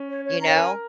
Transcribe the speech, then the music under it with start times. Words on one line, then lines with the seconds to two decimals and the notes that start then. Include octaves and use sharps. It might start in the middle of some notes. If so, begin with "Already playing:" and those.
you know?
Already playing: C#4
0.09 C#5
0.25 C#5
0.41 A#5
0.47 C#5 F5
0.56 A#4 G#5